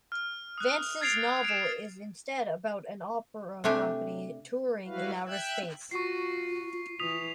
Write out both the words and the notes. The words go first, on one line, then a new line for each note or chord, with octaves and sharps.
Vance's novel is instead about an opera company touring in outer space.
F6
D#6 F#6
F6 G#6 A6 C7 D7 F7
D7 E7
C3 A3 D4 G4 G#5
G3 E4 F#4 B4 F5
E5 G5 E6 F#6 G#6
F4 F#4 C#6 C7
E3 D#6 B6 F7